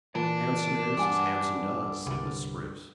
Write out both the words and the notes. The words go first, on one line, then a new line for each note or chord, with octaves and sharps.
"Handsome is as handsome does," said Miss Spruce.
A#2 E3 D5 A5
G2 F#5 G#5 D6
C2 D3